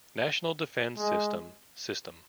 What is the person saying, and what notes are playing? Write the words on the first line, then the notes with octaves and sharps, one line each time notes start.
National Defense System System.
G#3